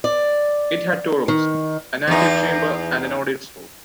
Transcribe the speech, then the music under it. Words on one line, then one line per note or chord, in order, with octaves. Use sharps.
It had two rooms: an antechamber and an audience room.
D5
D#3
E2 D#4